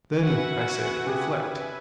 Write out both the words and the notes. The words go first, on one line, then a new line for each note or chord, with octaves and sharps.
Then, I said, reflect.
F#4 B4 E5 F#5 G#5
C#3 G4 G#4